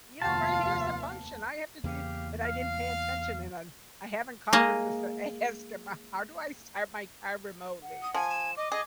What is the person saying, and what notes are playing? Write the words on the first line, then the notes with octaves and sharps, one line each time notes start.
"You know, right here is the function I have to do" but I didn't pay attention, and I'm I haven't called him to sa ask him, how do I start my car remotely?
F1 D#2 B3 F4 F5 A5
E2 C#3 A#3 G4 F5
F5
G#3 A#3 D#5
F#5
D#6
F3 G#5
E7
D#5 D6
G#4 D#5